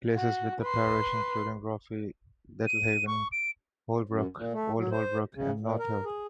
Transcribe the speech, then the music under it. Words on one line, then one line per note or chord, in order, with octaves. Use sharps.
Places within the parish include Roffey, Littlehaven, Holbrook, Old Holbrook and North Heath.
F#4
B4 C6
D#7
C#6
D7
F#2
A#2
A3
F#3
C5
C#3
A#2
A#4
G#4